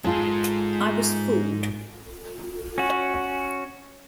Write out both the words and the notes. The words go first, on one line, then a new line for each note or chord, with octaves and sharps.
I was fooled.
G#2 G#3 F4 A4
C#4 F#4